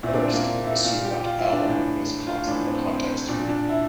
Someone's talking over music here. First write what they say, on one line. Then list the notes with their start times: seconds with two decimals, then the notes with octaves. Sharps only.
First, assume that "L" is context free.
0.03 A#2 E4
0.09 C4
0.13 D4
0.23 C4
0.34 A#3
0.44 D4
0.64 E4
0.84 A#2 F4
1.04 G4
1.25 F4
1.39 E4
1.53 D4
1.66 A2 E3
2.27 F4
2.47 A2 E3 D4
2.67 C4
2.88 C4
3.08 C4
3.29 A#2 D4
3.49 D4
3.69 E4